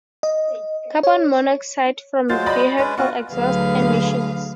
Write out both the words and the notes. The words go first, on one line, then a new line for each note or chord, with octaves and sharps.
Carbon monoxide from vehicle exhaust emissions.
D#5
C#5
F#3 G#3 F4 C5 A6
D5 D#5 B5
G#3 C#4 D4 B4
B3 F4 F#4
D2 D3 F#3 G#4 B4 F5